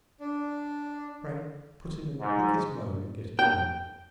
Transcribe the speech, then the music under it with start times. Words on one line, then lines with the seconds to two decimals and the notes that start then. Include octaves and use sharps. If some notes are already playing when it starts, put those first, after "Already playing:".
Pray, put him in the quickest mode of getting home.
0.20 D4
2.20 G#2
3.39 G5